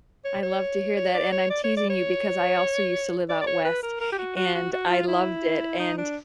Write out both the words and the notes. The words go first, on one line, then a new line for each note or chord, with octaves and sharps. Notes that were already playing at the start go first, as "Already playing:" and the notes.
I love to hear that, and I'm teasing you because I also used to live out west and I loved it, and,
C#5
C#5
C#5
D5
C#5
D5
C#5
D5
C#5
D5
D5
C#5
B4
A#4
A#4
G4
F#4
F#4
F#4
F#4
F4
E4
D#4
D4